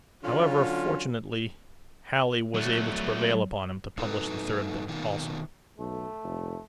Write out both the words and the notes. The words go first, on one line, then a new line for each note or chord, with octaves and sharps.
However, fortunately, Halley was able to prevail upon him to publish the third book also.
D3 F#3 C#4 F4
F#3 A3
G2 D#4 A4 B4
B2 D#3 D#4 F4
B1 A3
F1